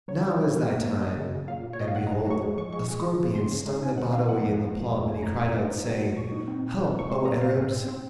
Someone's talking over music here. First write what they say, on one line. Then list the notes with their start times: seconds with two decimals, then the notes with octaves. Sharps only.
Now is thy time!" And behold, a scorpion stung the Badawi in the palm and he cried out, saying, "Help, O Arabs!
0.08 F#3 C#5
0.23 D#3
0.40 F#3
0.55 C3
0.70 A#3
0.86 A#3
1.01 F#3 D#5
1.17 C#3
1.33 C#3
1.48 A#2 F5
1.64 A#2
1.73 C#5
1.80 A#2 D#5
1.88 F5
1.96 A#2 F#5
2.07 A#5
2.11 D#4
2.27 F#3 C#6
2.42 G#3
2.57 F3 C#6
2.73 G#3 C#6
2.88 G#3
3.04 G#3
3.20 C#3
3.35 C4 C6
3.51 C#3
3.66 D#4
3.82 C4 G#5
3.98 D#3 F#5
4.13 F#3 F5
4.28 F3 F#5
4.44 F2
4.61 F3
4.75 A#3
4.92 F2
5.07 F2 G#5
5.22 F#2 A#5
5.38 F#2
5.53 F#2
5.69 D#4
5.84 F#3
6.00 F#3
6.16 A#2 C#6
6.32 D#4
6.48 C4
6.62 A#2
6.79 F#3
6.94 A#2 C#6
7.09 G#3 C6
7.25 A#2 A#5
7.40 A#2 F5
7.56 G#2
7.72 C4
7.88 C4